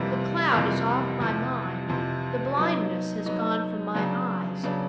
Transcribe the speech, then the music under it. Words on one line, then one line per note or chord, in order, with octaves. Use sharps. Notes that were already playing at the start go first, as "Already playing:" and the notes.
The cloud is off my mind, the blindness has gone from my eyes.
Already playing: F2 C3 E3 G3 A#3
F2 C3 E3 G3 A#3
F2 C3 E3
F2 C3 E3
F#3 B3 D#4
F#3 B3 D#4
C#3 F#3 B3 D4
C#3 F#3 B3 D4